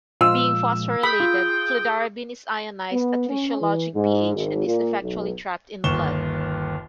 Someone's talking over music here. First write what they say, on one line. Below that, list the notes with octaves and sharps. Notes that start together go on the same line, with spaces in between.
Being phosphorylated, fludarabine is ionized at physiologic pH and is effectually trapped in blood.
A#2 F3 G#3 F4 E6
G#4 G5 B5 D#6
F4
B3
C#4
E3
G#2
G#1
A#2
B1
G1 D#2 C#6 E7 G7